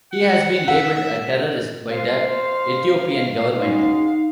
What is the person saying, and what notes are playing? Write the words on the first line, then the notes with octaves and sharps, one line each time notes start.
He has been labelled a terrorist by the Ethiopian government.
F#5
E5 F#5
F2 C5 F5
C#3 F#3 G#3 D#4